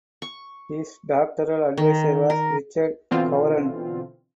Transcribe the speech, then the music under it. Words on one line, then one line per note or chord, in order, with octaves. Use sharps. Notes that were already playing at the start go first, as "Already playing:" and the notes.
His doctoral advisor was Richard Courant.
C#6
D#3
A#4
B2 D3 E3 C4 F4